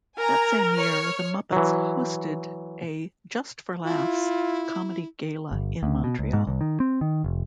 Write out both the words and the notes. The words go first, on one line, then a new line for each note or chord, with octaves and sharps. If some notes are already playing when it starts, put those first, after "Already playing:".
That same year, the Muppets hosted a "Just for Laughs" comedy gala in Montreal.
A#4 G#5 A#5
C#5 F6
E3 F#3
E4 F4
G1
D2
B2
C#2
G#2
C2
D#3
C4
D#3
F1